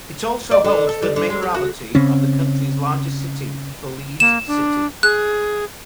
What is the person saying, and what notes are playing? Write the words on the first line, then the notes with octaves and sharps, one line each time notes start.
It also holds the mayoralty of the country's largest city, Belize City.
D5
D3
A4
G3
D3
G#3
G4
F#4
C#3 C4 C#4
A#3 E7
D4
G#4 F#6